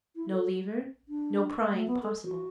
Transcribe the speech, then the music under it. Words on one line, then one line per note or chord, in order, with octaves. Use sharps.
No lever; no prying possible.
E4
A4
D4
A3
B3
A4
F#4